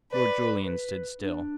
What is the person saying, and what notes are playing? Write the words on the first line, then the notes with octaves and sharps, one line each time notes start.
Lord Julian stood still.
B4 D5
B4
D4